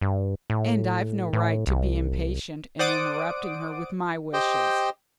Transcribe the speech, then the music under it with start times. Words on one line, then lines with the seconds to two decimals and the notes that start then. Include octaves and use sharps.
And I've no right to be impatient and interrupting her with my wishes.
0.01 G2
0.50 A2
1.33 A2
1.67 C2
2.79 C5 D5 F#5 D6 D#6 D7
4.33 G4 C5 D#5 G5